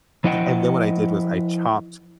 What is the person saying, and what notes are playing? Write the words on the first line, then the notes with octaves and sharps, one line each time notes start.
And then what I did was I chopped
F3 E4 D#5 F#5 G5